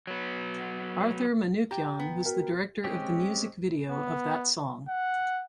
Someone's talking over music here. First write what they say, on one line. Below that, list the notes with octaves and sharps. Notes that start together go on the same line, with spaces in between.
Arthur Manukyan was the director of the music video of that song.
F#3 B3
G4 G5 A#5
B3
F#4 A#4
G#3 C4 C#4 G4
B3
F#5